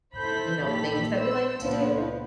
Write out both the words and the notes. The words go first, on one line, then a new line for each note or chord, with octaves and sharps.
you know, things that we like to do,
E4 A4 C5 B5 G6 B6
A#1 D#3 G4 A4 B5 B6
C5 E6
C#2 A#2 F3 B3